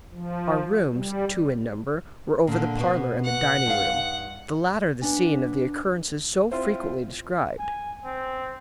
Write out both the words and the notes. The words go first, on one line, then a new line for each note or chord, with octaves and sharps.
Our rooms, two in number, were over the parlor and the dining-room, the latter the scene of the occurrences so frequently described.
F3
G3
A#2 D3
B2 B3
F#5
G2 D#4 F5
B3 D4 G#5
C4 E4 F4 C5
G#5
C4